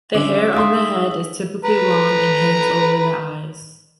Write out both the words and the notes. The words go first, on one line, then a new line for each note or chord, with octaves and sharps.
The hair on the head is typically long and hangs over the eyes.
D3 C#4 C5 E5 D6
D#4 G#4 F5 C6 D#6
B4 A#5